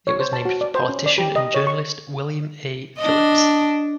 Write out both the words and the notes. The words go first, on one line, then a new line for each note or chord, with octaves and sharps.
It was named for politician and journalist William A. Phillips.
C#5
C5
A5
F#4
D5
C5
C#4
D5
G4
D#5
C#5
C#6
D4 D#5